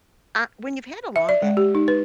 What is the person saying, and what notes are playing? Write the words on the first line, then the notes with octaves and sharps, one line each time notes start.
Ah, when you've had a long day
E5
D5
G#3
G4
D#4
B4